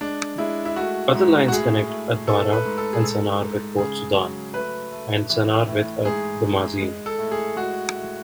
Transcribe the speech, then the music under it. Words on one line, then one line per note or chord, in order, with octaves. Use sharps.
Other lines connect Atbarah and Sannar with Port Sudan, and Sannar with Ad Damazin.
G#3 D4
G#3 E4
E4
A3 F#4
G#2
F#4
A2 G#4
A3
A3 A4
B4
G#2
A4
G#4
G#2 A4
G#2
C#3 G#4
F#3
A3 B4
A3
E3
A2
G#2 G#4
G#2
G#3
A4
A2
G#4
G#3 F#4
A2